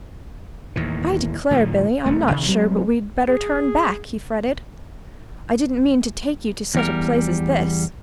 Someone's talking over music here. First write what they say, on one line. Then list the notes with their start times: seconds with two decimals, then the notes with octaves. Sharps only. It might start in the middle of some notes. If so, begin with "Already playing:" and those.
"I declare, Billy, I'm not sure but we'd better turn back," he fretted. "I didn't mean to take you to such a place as this."
0.76 D#2 A2 E3
1.51 A2 D3 F3
2.06 E1 C2 A3
2.31 C3 D#3
2.48 F#3 G#3 C4
3.29 G#4
6.75 E2 G3 A#4